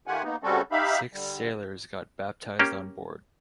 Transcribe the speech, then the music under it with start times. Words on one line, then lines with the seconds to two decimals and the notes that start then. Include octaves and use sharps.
Six sailors got baptized on board.
0.07 D#3 A3 F4 G4 F#5 G#5
0.24 A#3 B3 D#4
0.43 C#3 G3 C4 C#4 F#4 A4
0.72 D#4 G4 E5 F5 B5
1.13 D3 G3
2.59 A#3 C#4 G4